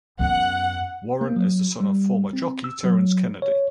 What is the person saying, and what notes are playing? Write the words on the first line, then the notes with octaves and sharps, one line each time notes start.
Warren is the son of former jockey Terrence Kennedy.
F#2 B3 F#5
A#3
F#3
G3
C4
E6
F#3
C#5